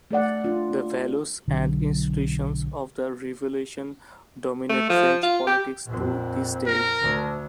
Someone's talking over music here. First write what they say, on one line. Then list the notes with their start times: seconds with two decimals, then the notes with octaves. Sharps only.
The values and institutions of the Revolution dominate French politics to this day.
0.11 A3 A4 D5 F#5
0.44 D4 F4
1.48 B1 D3 F#3
4.69 A3
4.89 F3
5.23 F4
5.47 G4
5.86 A#1 F2
6.66 A#4
7.00 D2